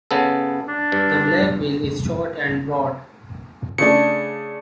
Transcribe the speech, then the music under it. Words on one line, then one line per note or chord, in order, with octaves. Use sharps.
The black bill is short and broad.
C#3 B3 A4
D4
G2
C#3 A3 D4 C#7